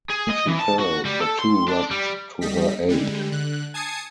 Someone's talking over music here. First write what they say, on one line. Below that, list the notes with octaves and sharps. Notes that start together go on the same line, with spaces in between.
When she fell the two rushed to her aid.
G#4
D#5
E3
A5
F#4
G3
A4
C6
D4
G3
G3 D#5 B6
D3 G3 G#3
D3 F#6
G#5 A5 D#6 G#6 C7 C#7